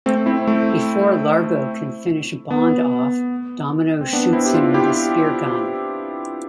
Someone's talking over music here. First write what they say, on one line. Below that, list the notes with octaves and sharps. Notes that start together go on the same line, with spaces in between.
Before Largo can finish Bond off Domino shoots him with a spear gun.
A3 C4
C4 E4
A3
B3
C4
B3 D4
C4 E4
G4
D4 F4
E4 G4